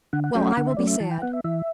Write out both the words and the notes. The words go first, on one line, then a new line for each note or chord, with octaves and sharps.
"Well, I will be sad."
D3 F#5
F#5
F#3 A3 C#4 G5
F#5
D3 F#5
E5
F#3 A3 C#4 D5
E5
E3 A5
G5
B3 F#5
E5
E3 E5